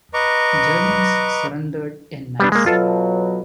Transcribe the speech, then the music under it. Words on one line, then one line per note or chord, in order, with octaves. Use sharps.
Germans surrendered en masse.
B4 D#5 A#5 C#6 D6
G3 B3 D4
G#3 A#3
B2 F#3 F4 A4 A5